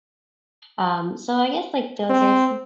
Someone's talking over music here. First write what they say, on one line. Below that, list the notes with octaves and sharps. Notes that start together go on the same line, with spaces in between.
Um, so I guess, like, those are some
C4